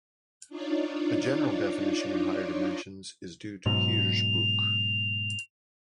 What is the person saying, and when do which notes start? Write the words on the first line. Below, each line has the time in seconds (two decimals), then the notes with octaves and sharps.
The general definition in higher dimensions is due to Hirzebruch.
0.49 D4 D#4 F4 C#5 D5
3.66 G#2 B2 F#3 F7